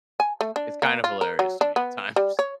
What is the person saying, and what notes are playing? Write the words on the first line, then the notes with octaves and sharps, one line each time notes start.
It's kind of hilarious to me at times.
G#5
A3
D4
A#3
F4
A#4
F#3
D4
B3
G3
C#5